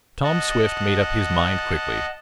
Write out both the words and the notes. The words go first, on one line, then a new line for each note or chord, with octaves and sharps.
Tom Swift made up his mind quickly.
D#5 F#5 A5